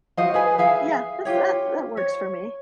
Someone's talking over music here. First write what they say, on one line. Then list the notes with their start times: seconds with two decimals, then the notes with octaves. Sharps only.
Yeah. That's that that works for me.
0.17 F#4 C5 D#5 F5
0.34 G#4 B4 G#5
0.58 G#4 E5 F5 G#5
1.25 F4 G4 C#5
1.97 C#5